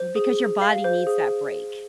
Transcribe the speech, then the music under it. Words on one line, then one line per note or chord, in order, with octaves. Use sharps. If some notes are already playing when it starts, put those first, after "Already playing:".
because your body needs that break,
Already playing: C5
G#4
G#4
F5
C5
G#4